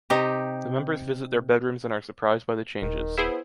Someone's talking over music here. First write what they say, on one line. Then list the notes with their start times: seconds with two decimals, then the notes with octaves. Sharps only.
The members visit their bedrooms and are surprised by the changes.
0.10 C3 D#4 G4
2.82 D#1 D#3
3.17 B3 E4 G#4 C5